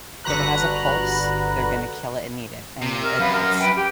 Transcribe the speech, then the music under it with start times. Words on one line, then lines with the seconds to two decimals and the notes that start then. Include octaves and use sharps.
"If it has a pulse, they're gonna kill it and eat it." I mean, it it's
0.24 G1 D3 F#4 B4 A#5 F#6
2.82 C3
3.02 A#4
3.19 F#2 B4 F5
3.32 A#4
3.58 B4 G5
3.77 G4